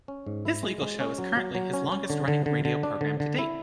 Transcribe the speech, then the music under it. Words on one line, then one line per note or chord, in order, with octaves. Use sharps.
His legal show is currently his longest running radio program to date.
C#4
G#2
E4
G#3
G#3
C#4
F#3
F#3
F#3
C#4
C#4
D3
D3
D3
D3
D4
D3
D3
E4